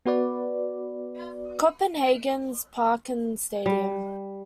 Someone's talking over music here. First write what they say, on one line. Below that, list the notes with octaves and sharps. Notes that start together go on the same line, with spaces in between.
Copenhagen's Parken Stadium.
B3 F#4 B4 D5
G3